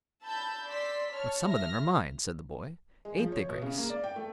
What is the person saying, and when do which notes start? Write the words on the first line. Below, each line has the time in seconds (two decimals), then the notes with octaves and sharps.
"But some of them are mine," said the boy; "ain't they, Grace?"
0.24 A5 B5 E6 G6
0.67 D5 C6 E6 B6
1.12 C#5 A5 F6
1.46 E5 F6 A#6
3.05 G#3
3.18 F3
3.32 C#5
3.49 B2
3.62 C#3
3.78 A#3
3.90 D5
4.04 G5
4.16 A3